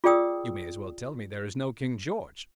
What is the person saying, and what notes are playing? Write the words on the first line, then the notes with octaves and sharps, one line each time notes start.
You may as well tell me there is no King George.
F4 G#4 D5 G5 D#6 E6